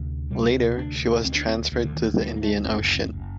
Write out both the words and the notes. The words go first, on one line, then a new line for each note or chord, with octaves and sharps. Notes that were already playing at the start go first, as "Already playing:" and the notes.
Later, she was transferred to the Indian Ocean.
Already playing: D2 C3
C3 G3
D2 D4
D2 C4
D4
C4
D2
D3
D#3
D2 G3
A#3
A3
F#1 C4
C4
F#1